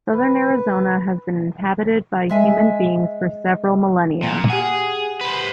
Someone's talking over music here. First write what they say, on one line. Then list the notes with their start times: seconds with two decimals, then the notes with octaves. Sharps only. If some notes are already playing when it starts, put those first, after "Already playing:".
Southern Arizona has been inhabited by human beings for several millennia.
0.13 B4
2.29 G#3 E5 G#5
4.23 A#2
4.50 G4 G#4 F#5
5.21 B4 C5